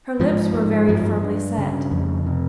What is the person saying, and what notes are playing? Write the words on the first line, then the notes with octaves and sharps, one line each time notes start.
Her lips were very firmly set.
G#2 F3
G#2
G2 F3
G2
C#3
F2
C3